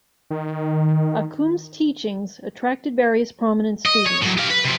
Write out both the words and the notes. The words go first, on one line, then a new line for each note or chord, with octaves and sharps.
Accum's teachings attracted various prominent students.
D#3
D#5
C#5
A2 F#3
G4 F5
B4
C3 F3